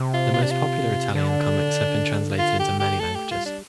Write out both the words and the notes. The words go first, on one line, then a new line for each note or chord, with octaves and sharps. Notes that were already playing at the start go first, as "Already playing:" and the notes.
The most popular Italian comics have been translated into many languages.
Already playing: C3
F4
F4
D4
F4
D3 D4
F4
G4
G4
A3 A4
G4
G3 F4
D4